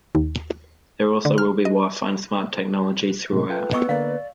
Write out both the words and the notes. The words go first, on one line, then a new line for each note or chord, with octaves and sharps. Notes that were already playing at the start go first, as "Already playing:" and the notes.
There also will be Wi-Fi and smart technology throughout.
D#2
D3
F6
D#5
A2 C3 G#3
F4 A4 B4 G5
B3 D#5 C#6 E6
D3 A#3 B3 D5 F5